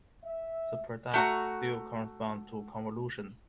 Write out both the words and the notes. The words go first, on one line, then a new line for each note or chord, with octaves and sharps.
The product still corresponds to convolution.
E5
A3 F#4 A#5